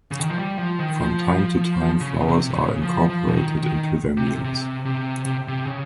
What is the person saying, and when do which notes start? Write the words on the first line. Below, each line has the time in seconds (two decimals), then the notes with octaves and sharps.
From time to time, flowers are incorporated into their meals.
0.12 C#3
0.21 D#3
0.29 F3
0.39 G3
0.59 F3
0.79 D#3
0.99 F3
2.01 C#3
2.28 C3
2.55 C#3
2.83 F3
3.09 F3
3.27 C#3
3.36 D#3
3.63 D#3
4.17 C3
4.44 C3
4.85 C3
5.26 C3
5.48 C3
5.67 C#3